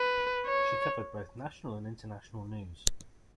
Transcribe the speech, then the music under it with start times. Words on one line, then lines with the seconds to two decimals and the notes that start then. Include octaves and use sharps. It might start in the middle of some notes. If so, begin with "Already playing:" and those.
She covered both national and international news.
Already playing: B4
0.47 C#5